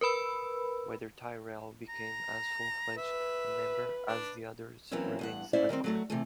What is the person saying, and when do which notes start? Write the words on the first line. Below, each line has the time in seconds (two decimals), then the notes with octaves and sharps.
Whether Tyrell became as full-fledged a member as the others remains unclear.
0.01 A#4 B4 B5 E6
1.89 A#5
2.97 B4 E5
4.08 D4
4.91 E3 F#3 A#3 C4 C#4 E4
5.19 E2 G2 F#5
5.53 A#3 C#4 E4 C5 D5 E5
5.69 D#3 G3 G#3 C4
5.84 F#3 A3 F#4
6.10 C3 E3 A3